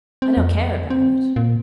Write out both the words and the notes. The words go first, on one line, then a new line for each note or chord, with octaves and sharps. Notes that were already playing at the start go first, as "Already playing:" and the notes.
I don't care about it.
C4
F2
C4
A#2